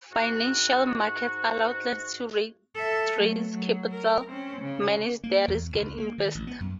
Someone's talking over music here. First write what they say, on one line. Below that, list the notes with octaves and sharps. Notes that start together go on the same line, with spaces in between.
Financial markets allow clients to raise capital, manage their risks and invest.
G#2 F#4
A4 E5
F#3 A3
F#3
A#4
C4 C#4
C#3
A#3
E2
C#2
A#3
D#3
A1
B3
F#2